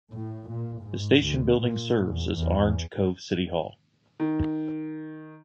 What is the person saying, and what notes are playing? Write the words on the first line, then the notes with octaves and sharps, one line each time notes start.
The station building serves as Orange Cove City Hall.
A2
A#2
G#2
D2
A#2
E2
E2
D#3